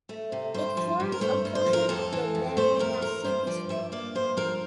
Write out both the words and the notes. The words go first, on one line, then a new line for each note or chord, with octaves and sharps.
It forms a portion of the Varanasi district.
A3
C3
G2 C5
F3
G2
A#4
A3 C5
G2
C5
F3
A#4
F2 A4
E3
F2
A3 C5
F2 A#4
E3 A#4
G2 C5
F3 D5
G2 E5
A#3 D5
G2 C5
F3 A#4